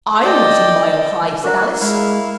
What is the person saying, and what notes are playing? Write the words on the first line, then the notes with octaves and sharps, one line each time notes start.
'I'M not a mile high,' said Alice.
A4 D5 D#5 G5
D4 F#4 A#4 A#5
G#3 E4 F5